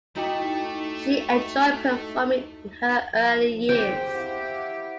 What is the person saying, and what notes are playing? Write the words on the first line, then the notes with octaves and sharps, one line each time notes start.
She enjoyed performing in her early years.
A3 D#4 E4 F#4 G5 D6
F3
C4 G4 G#4 C5 G5
E4 F5 F#5